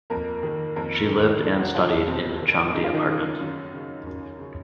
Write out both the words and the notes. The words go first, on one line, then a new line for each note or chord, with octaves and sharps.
She lived and studied in Changde Apartment.
F2 A#3 A#4
D#3
F2 A#3 A#4
D#3
F2 G#3 G#4
F#3 F#4
D#3 F3 F4
F2 C3 C4
D#3
F#2 D#4
F4
D#3 D#4
C#3
F#2
C#3
F#2
C#3